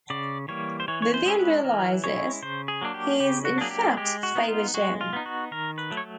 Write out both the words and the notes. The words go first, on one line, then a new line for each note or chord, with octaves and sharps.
Vivian realizes he is in fact Faber John.
C#3 D5
E3 G3 A#3 C#5
C5
E3 C#5
C#5
C5
G#3 C#4 E4
B4
E3 A#4
G#3 C#4 E4 C#5
C#3 C5
G#4
F#3 A#3 D4
G4
C#3 G4
F#4
F#3 A#3 D4 G#4
G4
G#3 G4
F#4
B3 D#4
F4
G#3 F#4
F4
B3 D#4
F#4
D#3 A#4
B4
F#3 A3
C#5